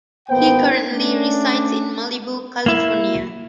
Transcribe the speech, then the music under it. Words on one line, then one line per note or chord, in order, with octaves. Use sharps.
He currently resides in Malibu, California.
G#1 A#3 B3 C5 G5
A3 C#4 D4
A#3 E4